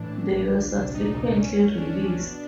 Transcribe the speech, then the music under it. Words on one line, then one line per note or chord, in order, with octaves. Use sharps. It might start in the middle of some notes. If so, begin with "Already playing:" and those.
They were subsequently released.
Already playing: A2 E3 D4
A2
A#1
D2
C3
D2 D#4
D2
G1 C#4
G1
G1 D4
G1
B2